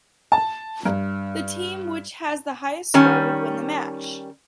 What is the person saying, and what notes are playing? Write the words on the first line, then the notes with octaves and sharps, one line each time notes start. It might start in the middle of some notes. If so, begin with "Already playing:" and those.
The team which has the highest score would win the match.
A5
G2
D#3 G3 C#4